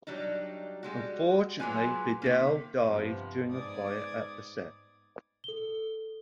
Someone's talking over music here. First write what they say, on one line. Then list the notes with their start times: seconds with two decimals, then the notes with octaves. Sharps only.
Unfortunately Fidel died during a fire at the set.
0.07 F#3 G3 D4 D#4
0.83 G3 G#3 F#4
1.60 F#3 G#3 A#3 F4 B4 G#5
2.22 C3 D#3 A#3
2.80 G2 C3 F3 B3
3.49 G#2 B3 D5 D6 D#6 G#6
5.44 A4 G7